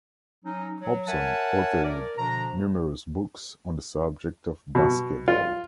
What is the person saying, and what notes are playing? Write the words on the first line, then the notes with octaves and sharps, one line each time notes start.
Hobson authored numerous books on the subject of basketball.
F#3 C#4 D#4
F#3
A#4 C#5 E5 F#5 G#5 A5
A#4 D5
B2 D3 F3 D4 A#5
B2
F4